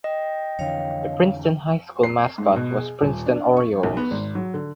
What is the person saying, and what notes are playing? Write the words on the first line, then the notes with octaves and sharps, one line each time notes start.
The Princeton High School mascot was Princeton Orioles.
D#5 G5
F2 D3 E3 C#5 F5
C7
G#2
B2
G#4
D#1
D4
C#6
B1
B3
G#1
F#3
D3